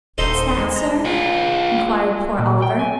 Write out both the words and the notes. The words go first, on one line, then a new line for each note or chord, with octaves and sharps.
'What's that, sir?' inquired poor Oliver.
D#1 D#4 A4 C5
G#3
A#5
F4 G#4
A#2
G5
G#5